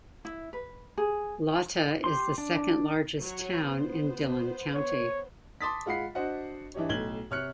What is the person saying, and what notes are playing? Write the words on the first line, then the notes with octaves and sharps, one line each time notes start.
Latta is the second largest town in Dillon County.
E4
B4
G#4
G4 C6
D4
F#3 C#5
B3 C5
C#5
A5 C6 D6 D#6 A6 B6
G#3 F4 F#5 B5 C7
D4 F#4 C5 D#5 F#5
E3 D4 D#4 G4 C#5
B1 A2 G#6 F#7 G7
C3 C#5 F6 F#6 C#7